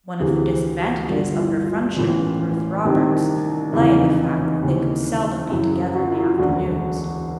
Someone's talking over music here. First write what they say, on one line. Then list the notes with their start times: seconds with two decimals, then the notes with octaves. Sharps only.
One of the disadvantages of her friendship with Ruth Roberts lay in the fact that they could seldom be together in the afternoons.
0.20 D2 C3 E3 G#4
0.79 F#4
1.08 G1 G2 D3 F4
1.33 F4
1.38 E4
1.66 F4
1.96 A1 A2 E3 F4
2.85 C2 C3 D#3
3.73 F1 E2 C#3 E3 E4
3.96 D#4
4.17 D#4
4.39 D#4
4.61 D#2 C#3 E3
5.49 F#1 F#2 C#3 E4
5.94 F#4
6.02 F4
6.11 E4
6.21 F4
6.37 E1 D2 D3 F#4